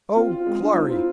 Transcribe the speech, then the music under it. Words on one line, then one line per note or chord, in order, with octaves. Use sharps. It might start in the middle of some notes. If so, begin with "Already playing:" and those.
Oh, glory!
C4 F4
F4
G#3 C4
D4 F4
D4
C4 D#4
E4 F4